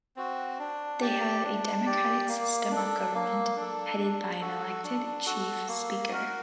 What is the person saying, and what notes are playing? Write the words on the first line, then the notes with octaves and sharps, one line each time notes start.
They have a democratic system of government, headed by an elected Chief Speaker.
C4 F#4
D4
G4 D5
D4
G4 D5
A#3
D4
A4
A#3
D4 A4
D4
F#4 A4
D4
F#4 A4
A#3
F#4 A#4